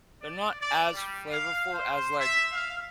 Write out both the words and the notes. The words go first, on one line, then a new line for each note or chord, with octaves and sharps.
they're not as flavorful as, like,
D5
D5
G3
F5
C5
E5
F5